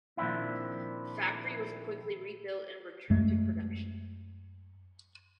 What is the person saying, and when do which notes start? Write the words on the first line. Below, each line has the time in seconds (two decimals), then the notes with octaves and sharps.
The factory was quickly rebuilt and returned to production.
0.17 A#2 D#3 F3 C4 D4 E4
3.10 F#2 G#3 A3